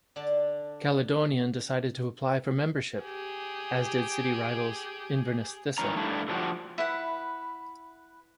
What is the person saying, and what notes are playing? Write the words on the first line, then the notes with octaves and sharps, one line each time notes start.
Caledonian decided to apply for membership, as did city rivals Inverness Thistle.
D3 D4 D5 A5
G4 G#4
G2 D#3 E3 C#4 A#5
G2 A3 D4 E4
D3 F3 D4 D#4 F#4 G4
E4 B4 F#5